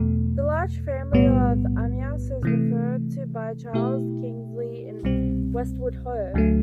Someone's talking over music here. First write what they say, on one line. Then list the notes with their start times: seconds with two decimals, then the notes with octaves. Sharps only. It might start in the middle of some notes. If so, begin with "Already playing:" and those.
The large family of Amyas is referred to by Charles Kingsley in Westward Ho!
Already playing: E2 B2 A3
1.12 B1 A2 G3 B3
2.43 C3 E3 A3
3.73 B2 A3 E4 G4
5.03 C2 B2 G3 C4
6.34 D2 D3 F#3 A3